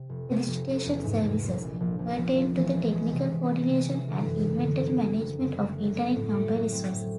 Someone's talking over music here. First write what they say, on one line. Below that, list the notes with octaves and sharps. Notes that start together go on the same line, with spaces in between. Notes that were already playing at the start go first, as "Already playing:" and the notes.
Registration services pertain to the technical coordination and inventory management of Internet number resources.
Already playing: C3
F1
C3
F1
F1
E2
G#2
G#2
A#1
A#1
A#1
A#1
F3
F3
E3
G#3
G#3
C3
C3
G#3
C3
E3
D3
F#2
F#1
D3
F#1
F#2
F#1
F#1
A3
F#3
A3
A2
A3
F#3
C4
A2